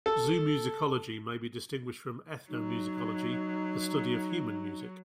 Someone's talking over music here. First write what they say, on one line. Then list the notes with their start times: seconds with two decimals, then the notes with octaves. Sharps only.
Zoomusicology may be distinguished from ethnomusicology, the study of human music.
0.06 A4
2.49 F#3 D#4